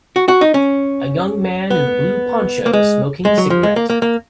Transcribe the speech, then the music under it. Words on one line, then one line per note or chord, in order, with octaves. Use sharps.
A young man in a blue poncho smoking a cigarette.
F#4
F#4
D#4
C#4
B3
A#3
G#3
G#3
F#3
F3
G#3
A#3
A#3
A#3